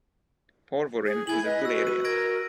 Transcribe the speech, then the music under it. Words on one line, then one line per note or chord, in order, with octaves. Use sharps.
Porvorim is a good area.
G#4
E4 G#5 G#6 F#7
B4 D#5
F#4 E6
D#7
A#4 G#6 A#6 D7